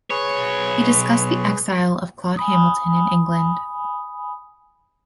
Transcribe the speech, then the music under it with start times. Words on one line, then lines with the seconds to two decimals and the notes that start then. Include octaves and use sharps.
He discussed the exile of Claud Hamilton in England.
0.10 B1 G#4 B4 C#5
2.37 G#5 B5 D#6